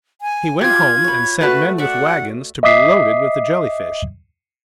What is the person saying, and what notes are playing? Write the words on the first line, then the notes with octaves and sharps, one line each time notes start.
He went home, and sent men with wagons to be loaded with the Jelly-fish.
G#5
F4 G4 G#6
B4 C#5
A3 F#4 B4 A5
D5 E5 F#5
D#5 E5 D6 D#6 B6 C7